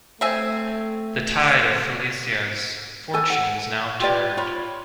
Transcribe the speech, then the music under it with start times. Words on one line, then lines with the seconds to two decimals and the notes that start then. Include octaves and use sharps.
The tide of Filicaja's fortunes now turned.
0.21 A3 C4 E5 G#5
3.14 A4 G#5
3.30 F#5
4.00 F4 G4 B4 D5
4.37 F4 C#5 B5